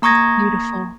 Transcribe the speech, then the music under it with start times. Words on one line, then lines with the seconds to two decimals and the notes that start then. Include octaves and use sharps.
It's beautiful.
0.02 A#3 A#5 C#6 D#6 G#6 A#6